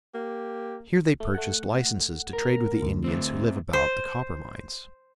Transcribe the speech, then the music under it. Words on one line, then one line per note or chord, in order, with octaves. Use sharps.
Here they purchased licenses to trade with the Indians who live about the copper mines.
A#3 G4
A3
A3 F#5
A#4
D2
A3 C4
C5